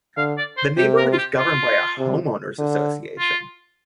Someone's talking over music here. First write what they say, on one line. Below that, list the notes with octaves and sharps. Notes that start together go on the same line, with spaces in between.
The neighborhood is governed by a homeowners association.
D3 F5
D5
C5
C3 G4
A#4
F4
G4
F4
C3
D3
F4